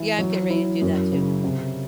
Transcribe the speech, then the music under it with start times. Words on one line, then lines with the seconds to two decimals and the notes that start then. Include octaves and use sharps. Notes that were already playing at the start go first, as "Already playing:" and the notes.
Yeah, I'm getting ready to do that too.
Already playing: E3
0.18 F#3
0.50 E4
0.82 F#2
1.12 C#3
1.44 C3